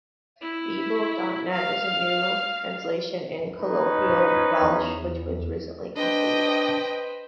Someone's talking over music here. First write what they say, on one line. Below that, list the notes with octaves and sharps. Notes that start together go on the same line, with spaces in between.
Beibl dot net is a new translation in colloquial Welsh which was recently completed.
E4
F5
C#4 D#4 B4
E2
D4 B4 C5 D#5 G5